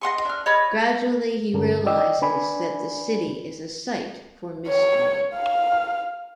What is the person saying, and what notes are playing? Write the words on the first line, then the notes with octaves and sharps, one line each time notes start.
Gradually, he realizes that the city is a site for mystery.
D#5 F#5 C6 C#6
D4 F6
C#5 D#5 B5
G2 D3 C#4 A4 A#4
D5 D#5 G5 E6
D4 B4 D5 G#5 B5
C#5
F5